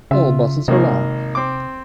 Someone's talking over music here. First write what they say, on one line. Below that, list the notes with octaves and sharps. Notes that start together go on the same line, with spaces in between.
All buses are long.
C#3 F4 E5
G#1 C3 A#3
C4 D6